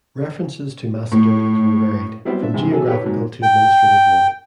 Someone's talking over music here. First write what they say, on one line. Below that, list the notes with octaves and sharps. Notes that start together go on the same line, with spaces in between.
References to "Macedonians" were varied, from geographical to administrative one.
A2
F#3 G3 B3 C4 E4
D4 E5
G2 C3 E3 G#3
E3 F#3 B3 G#4 A4
G4 A4 B4 C#5
G#2 F#3
G5